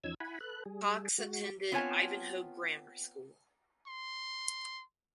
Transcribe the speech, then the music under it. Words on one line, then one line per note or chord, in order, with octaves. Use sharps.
Cox attended Ivanhoe Grammar School.
E2 F3 C#4 D#4 E6 G#6
E4 F#5 G#5 B5
A4 B4 F#6
G3 G#4
G#3 F#4
B3 C4 F4 C#5 G#5 A5
C6